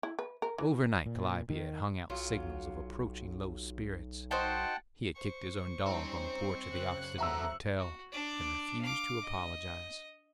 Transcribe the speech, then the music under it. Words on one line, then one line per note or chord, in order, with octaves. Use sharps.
Over night Calliope had hung out signals of approaching low spirits. He had kicked his own dog on the porch of the Occidental Hotel, and refused to apologise.
E4
B4
A#4
E3
A#2
D#3
B1 F#3 F4
D#4 F#4 C5 F#5 G5 A5
C5 C#6
G3 C4 C#4 D#4
F#2 C#3 F#6
F#4 A4 E5 A#5 E6
F#4
D4 D5
F5 D6
D#5